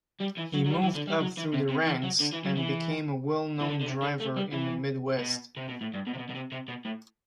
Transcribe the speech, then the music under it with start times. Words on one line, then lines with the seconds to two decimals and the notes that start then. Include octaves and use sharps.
He moved up through the ranks, and became a well-known driver in the Midwest.
0.21 G3
0.37 E3
0.54 F#3
0.66 F#3
0.71 G3
0.83 E3
0.95 D3
1.07 G3
1.20 F#3
1.38 E3
1.54 C3
1.70 C3
1.87 E3
2.03 F#3
2.20 D3
2.33 E3
2.45 F#3
2.57 E3
3.61 E3
3.69 D3
3.81 D3
3.86 C3
4.02 D3
4.20 A3
4.36 G3
4.53 E3
5.19 B2
5.57 C3
5.69 B2
5.81 A2
5.94 G2
6.07 B2
6.14 C3
6.19 B2
6.29 B2
6.35 C3
6.52 C3
6.68 B2
6.85 A2